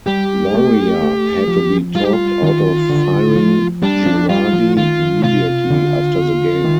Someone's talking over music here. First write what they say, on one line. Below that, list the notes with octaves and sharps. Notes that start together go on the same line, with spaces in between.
Loria had to be talked out of firing Girardi immediately after the game.
G3 G4
A3
A3
F3
G3 F4
G4
F4
D#3
D3
F3
G3 D4
F3
G3 F4
F3
D#3 F4
C3 F4
D3
D#3